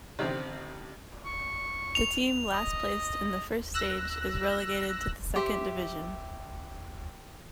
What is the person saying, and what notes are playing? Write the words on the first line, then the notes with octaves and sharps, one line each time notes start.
The team last placed in the first stage is relegated to the second division.
A1 D2 C3 D#3 C4
C#6
F7
D#5
E6 F#6 A#6
G4 C5 E5